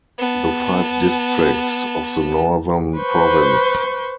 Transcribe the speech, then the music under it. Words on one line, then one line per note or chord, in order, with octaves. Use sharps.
The five districts of the Northern Province.
B3 A5
B4 C5 C#6 G6